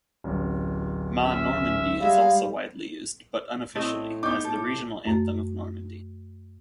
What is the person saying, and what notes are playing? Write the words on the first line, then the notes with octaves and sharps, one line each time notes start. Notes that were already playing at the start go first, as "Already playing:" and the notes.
"Ma Normandie" is also widely used, but unofficially, as the regional anthem of Normandy.
D1 A1
C#4 E5
G3 G#3 F5
A2 A3 C4 D#5
B3 D#4 D6 G6
A2 A4
F#2 A3